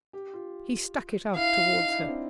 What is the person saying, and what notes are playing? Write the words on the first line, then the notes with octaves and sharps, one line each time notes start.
He stuck it out toward her.
G4
F4
E4 F5
D#4
E4
D4
C4